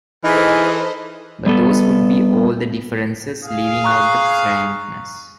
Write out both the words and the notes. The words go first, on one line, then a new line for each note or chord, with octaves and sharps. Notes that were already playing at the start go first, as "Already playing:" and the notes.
But those would be all the differences, leaving out the frankness.
E3 D#4 E4 G#4 A4 C5 D#5 F6
G3 B3 A4
G#4 F5
A#5 C#6 F#6